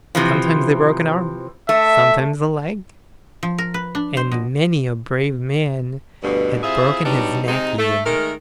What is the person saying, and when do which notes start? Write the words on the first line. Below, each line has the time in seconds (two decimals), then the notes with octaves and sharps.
Sometimes they broke an arm, sometimes a leg, and many a brave man had broken his neck even.
0.15 C3 E3 F3
1.69 A3 E5
3.43 F3
3.58 A#4
3.74 B4
3.95 D4
4.17 C5
4.32 B2
6.23 D2 G2 B2
6.63 C3 E4 F4 G#4 C5 E5
7.05 F#3 G3 B3 D4 D#4
7.47 C3 G#3 D#4
7.79 A3
8.06 D#3 G#3 A3 A#4